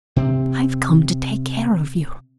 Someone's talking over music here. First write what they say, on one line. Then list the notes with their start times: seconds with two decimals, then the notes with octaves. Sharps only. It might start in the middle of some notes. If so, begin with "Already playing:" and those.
I've come to take care of you.
0.16 C3 C4